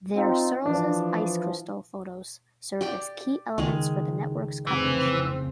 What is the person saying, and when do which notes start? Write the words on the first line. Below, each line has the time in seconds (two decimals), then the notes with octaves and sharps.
There Searls' ice crystal photos served as key elements for the network's coverage.
0.15 C4 D#4 F4
0.66 E3 F3 D4
2.81 G4 D5 G5
3.58 C#2 D#3 G#3 G#4
4.67 F1 C#3 E3 C4